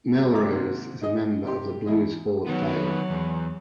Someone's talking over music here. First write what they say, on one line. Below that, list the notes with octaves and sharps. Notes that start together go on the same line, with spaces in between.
Melrose is a member of the Blues Hall of Fame.
C3 F#3
D#5 E5 A#5 D6 E6
G#2 C3 D#3 G#3 A#3
D#4 G#4 D#5
C3 D#4 G4 C6
E2 E4 G#4 D#5
D#3 F#3 B3
E2